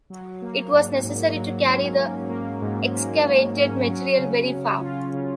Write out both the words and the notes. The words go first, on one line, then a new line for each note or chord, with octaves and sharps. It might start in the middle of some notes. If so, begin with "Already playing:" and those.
It was necessary to carry the excavated material very far.
F#3
A#3
G#2
G#2
F#3
C#4
A#3
A#3
G#2
A#3
G#2
C#4
F#3
C#3
F#3
F4
C#3